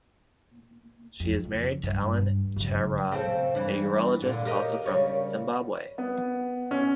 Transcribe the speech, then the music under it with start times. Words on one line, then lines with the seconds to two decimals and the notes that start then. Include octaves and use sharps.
She is married to Allen Chiura, a urologist, also from Zimbabwe.
1.20 F2
1.45 C#3
1.83 G2
2.56 F#2 C#3
3.12 C#3 C4 A4
3.55 G2 E3
4.22 A#2 D3
4.45 G4 A#4 D#5
4.86 C#3 G3 C#5
5.98 B3
6.71 C#4